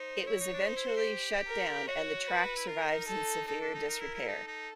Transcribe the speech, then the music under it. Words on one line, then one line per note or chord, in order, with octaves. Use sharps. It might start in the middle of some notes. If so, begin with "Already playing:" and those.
It was eventually shut down and the track survives in severe disrepair.
Already playing: D#4 C5
E4 C#5
D#4
D4
D#4 C5
E4
F#4
G4
A#4
F#4 C#5
B4
E4
F4 A#4
D#4
A4
D#4 A4
D4
D#4
D#4 A#4
E4
E4
D#4 A4
D#4